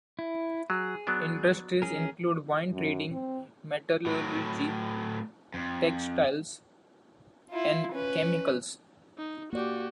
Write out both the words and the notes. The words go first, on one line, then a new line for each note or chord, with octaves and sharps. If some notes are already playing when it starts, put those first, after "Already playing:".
Industries include wine-trading, metallurgy, textiles, and chemicals.
E4
F#3 G#4
F#3 B3 D4
C#4 G#4 A#4
F#2
C4
A2 F#3
F2
E4 F4
C#4 B4
D#4
A#3 F#4 G4 D5